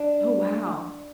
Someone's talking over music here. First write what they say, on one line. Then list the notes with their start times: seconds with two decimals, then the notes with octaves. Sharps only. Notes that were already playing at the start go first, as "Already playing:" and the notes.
Oh, wow.
Already playing: D4